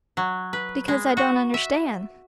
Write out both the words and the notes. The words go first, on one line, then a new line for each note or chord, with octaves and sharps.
"Because I don't understand."
F#3
B4
G#3
F#4
E5